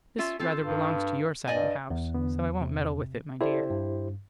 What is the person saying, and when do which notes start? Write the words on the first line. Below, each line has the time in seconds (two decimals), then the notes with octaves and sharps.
"This rather belongs to your side of the house, so I won't meddle with it, my dear."
0.18 C#4 F4 E5
0.39 C4 F4 A4
0.62 G2
1.47 G2 D5 D#5 G#5
1.90 E2
2.14 D3 B3
2.61 C3
3.41 E4 G4 A4 C5 D5
3.70 G2